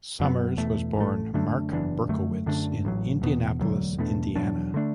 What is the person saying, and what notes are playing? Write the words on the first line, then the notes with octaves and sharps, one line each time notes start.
Summers was born Marc Berkowitz in Indianapolis, Indiana.
F#2 F#3 B3
E2 B2 A3
A1 A2 A3
F#2 D3 A3 D4
F#1 E2 E3 D4
F#2 D3 A3
F#2 D3 A3 D4
A1 A2 F#3
E1 E2 B2 B3
E1 D2 D3 F#3
E2 B2 A3 D4
E2 B2 F#3 D4
D3 A3 D4